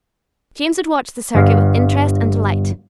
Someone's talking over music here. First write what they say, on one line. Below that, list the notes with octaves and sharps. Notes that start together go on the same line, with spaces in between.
James had watched the circuit with interest and delight.
G1 G2 F5